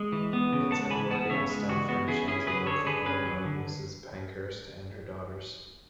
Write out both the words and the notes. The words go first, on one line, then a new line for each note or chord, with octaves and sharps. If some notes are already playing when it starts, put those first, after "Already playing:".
Its Edwardian style furnishings evoke the home of Mrs Pankhurst and her daughters.
Already playing: G#3
E3
B3
C#3
G#3 F#5 A5
E3 G#5 B5
B3 F#5 A5
C#3 C#5 E5
G#3
E3 F#4
B3 F#4
C#3 E4 G#4
C#4 E4 G#4
F#3 G#4 B4
D3 A4 C#5
D3 G#4 B4
C#4 G#4 B4
F#3
D3